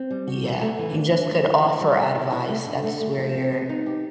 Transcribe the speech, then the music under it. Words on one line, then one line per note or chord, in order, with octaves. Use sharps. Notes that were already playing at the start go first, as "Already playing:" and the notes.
Yeah, you just could offer advice, that's where you're
Already playing: C4
G3
F#4
E3
A3
E3
D4
D4
A3
E4
E4
G3
B3
E4
E4
A3
D3
A3
A3
F3
C4
B3
D#4
G4